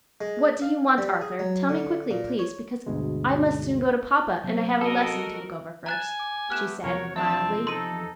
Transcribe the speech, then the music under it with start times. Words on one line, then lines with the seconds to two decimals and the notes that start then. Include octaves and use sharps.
"What do you want, Arthur? tell me quickly, please, because I must soon go to papa, and I have a lesson to look over first," she said, mildly.
0.21 G#3
0.62 F5
0.98 G3
1.21 G#4
1.39 F#3
1.69 D3
2.11 A#2
2.39 C#5
2.86 D2 G2 B2 G#3
4.44 C3 F#3 B3 C5
4.81 F#4 A4 A#4 D#5
5.86 G#5 A#5 F#6 A6 E7
6.19 D6
6.50 A3 B3 G4 F6 F#6 E7
6.84 E2 C3 F3 F#4 A#4 C#5
7.16 A3 C4 D4 E5 A5
7.67 D#4 A4 C6 D#7